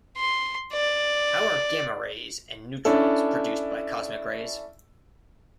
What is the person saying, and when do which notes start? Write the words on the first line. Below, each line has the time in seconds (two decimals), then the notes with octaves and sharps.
How are gamma rays and neutrons produced by cosmic rays?
0.17 C6
0.73 D5
2.85 C#4 D4 E4 A4